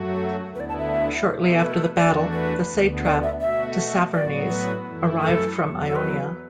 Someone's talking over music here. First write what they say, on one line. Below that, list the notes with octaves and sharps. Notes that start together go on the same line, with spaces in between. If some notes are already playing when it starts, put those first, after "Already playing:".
Shortly after the battle, the satrap Tissaphernes arrived from Ionia.
Already playing: F#2 F#3 A3 F#4
A4
D2 D3 B3 E4 B4
D5
A5
E5
B2 A3 E4
B4
A4
B4
E2 E3 A3 D4 F#4 D5
B4
D2 D3 B3
D5
E5
B2 A3 F#4 E5
A2 F#3 B3 F#4 D5
B4
F#2 E3 A3 E4
A4
E2 B2 F#3
A4
B4